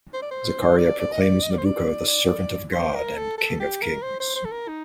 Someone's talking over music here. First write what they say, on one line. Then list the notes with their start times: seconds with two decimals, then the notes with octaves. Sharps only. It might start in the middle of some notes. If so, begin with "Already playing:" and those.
Zaccaria proclaims Nabucco the servant of God and king of kings.
0.14 C5
0.22 D5
0.31 C5
0.78 D5
1.00 D5
1.12 D#5
1.21 D5
1.43 D#5
1.51 D5
1.58 C5
1.65 D5
2.08 D5
2.73 C5
2.95 A#4
3.17 A4
3.38 A4
3.60 G4
3.82 A#4
4.03 C5
4.20 C5
4.36 C5
4.45 A4
4.52 A#4
4.68 D#4